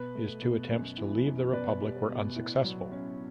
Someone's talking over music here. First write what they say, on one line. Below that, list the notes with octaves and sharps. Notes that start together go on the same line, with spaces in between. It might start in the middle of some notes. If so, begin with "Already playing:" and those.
His two attempts to leave the republic were unsuccessful.
Already playing: B2 B4
A3
B2
F#2
E3
F#2
B2 B4 D5
G3
B2
A2
F#3
C#4